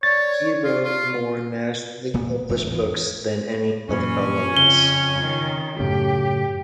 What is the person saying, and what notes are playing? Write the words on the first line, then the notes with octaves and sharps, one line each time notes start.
He wrote more nationally-published books than any other alumnus.
C#5 D5 A6
F4
F4
D1 A#2 B3
D#1 F2 D#3 A3
A1 E2 A2 F3
F#2 A#2 E3 C#4
F2 C#3 G7
D#3
F#2 A2 C#3 G4